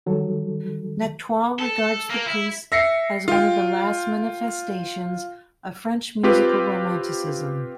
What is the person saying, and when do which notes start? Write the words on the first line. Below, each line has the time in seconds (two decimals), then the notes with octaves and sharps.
Nectoux regards the piece as one of the last manifestations of French musical Romanticism.
0.06 D#3 F#3 G3 A4
1.59 A4
2.10 A#3
2.26 E4
2.72 E5 A#6 C7 C#7
3.28 F4 G5
6.23 C4 F4 G4 B4